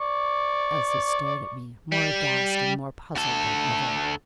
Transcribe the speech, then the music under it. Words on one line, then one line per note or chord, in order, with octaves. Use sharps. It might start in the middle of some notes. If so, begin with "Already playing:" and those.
Elsie stared at me, more aghast and more puzzled than ever.
D5 C#6
G3
D2 A4